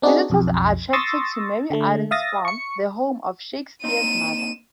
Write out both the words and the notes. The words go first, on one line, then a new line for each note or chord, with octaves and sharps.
Visitors are attracted to Mary Arden's Farm, the home of Shakespeare's mother.
C4 D4 D#4 F#4 G#4
B1 F2
C6 C#6 D#6 E6 A6 A#6
D3 A3
E5 F5 D#6 A6 A#6
C#6 C#7
A#3 C4 D#4 D#7 E7